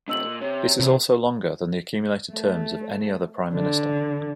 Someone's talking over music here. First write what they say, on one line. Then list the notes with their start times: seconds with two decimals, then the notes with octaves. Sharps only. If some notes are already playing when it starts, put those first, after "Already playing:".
This is also longer than the accumulated terms of any other Prime Minister.
0.08 F#2 C3 D#5 E6 F#7
0.25 A#2
0.41 C3 C#5
0.80 E2 C3
2.31 A3
3.53 D3